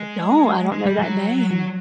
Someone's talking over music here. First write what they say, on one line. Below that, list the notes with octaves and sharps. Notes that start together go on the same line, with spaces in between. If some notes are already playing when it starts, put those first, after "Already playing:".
I don't, I don't know that name.
Already playing: G#3
G#3
G3
F#3
F#3